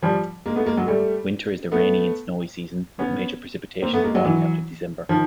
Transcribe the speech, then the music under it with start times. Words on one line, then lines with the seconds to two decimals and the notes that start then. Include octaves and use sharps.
Winter is the rainy and snowy season, with major precipitation falling after December.
0.02 F3 G3
0.46 G#3 A#3
0.56 A3 B3
0.66 G#3 A#3
0.77 F#3 G#3
0.87 G3 A3
1.72 A3 B3
2.99 B3 C#4
3.82 A#3 C4
3.93 A3 B3
4.04 G#3 A#3
4.14 F#3 G#3
4.25 E3 F#3
5.09 D#3 F3